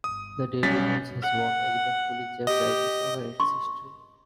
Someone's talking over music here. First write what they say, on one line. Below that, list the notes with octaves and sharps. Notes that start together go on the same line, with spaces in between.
The "Daily News" has won eleven Pulitzer Prizes over its history.
D#6
B1 G3 C#4 A6 B6
F#5
G4 D#5
C6 C#6